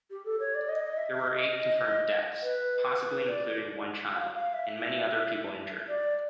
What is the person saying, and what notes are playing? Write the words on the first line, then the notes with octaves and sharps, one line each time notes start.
There were eight confirmed deaths, possibly including one child, and many other people injured.
G4
A4
C#5
D5
D#5
D#5
E5
E5
D#5
B4
B4
D5
F5
F5
E5
D5